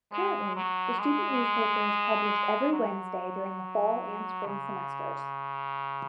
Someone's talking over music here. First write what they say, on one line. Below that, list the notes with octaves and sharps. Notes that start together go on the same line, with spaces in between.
Currently, the student newspaper is published every Wednesday during the fall and spring semesters.
G#3
F#3
G#3
F#3
C#3